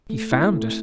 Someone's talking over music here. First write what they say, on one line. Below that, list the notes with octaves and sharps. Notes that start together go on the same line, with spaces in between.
He found it.
A3
C4 E4
A3